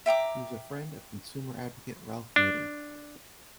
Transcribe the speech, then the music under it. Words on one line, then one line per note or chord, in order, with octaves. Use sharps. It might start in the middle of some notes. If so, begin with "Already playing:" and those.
He was a friend of consumer advocate Ralph Nader.
E5 G5 A#5 D6
D4